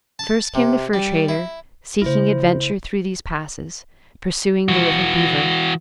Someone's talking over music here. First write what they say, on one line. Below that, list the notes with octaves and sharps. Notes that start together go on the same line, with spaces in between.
First came the fur-trader, seeking adventure through these passes, pursuing the little beaver.
A5
C3
G3
E4
C#3 A3 E4 C5
E3 F#4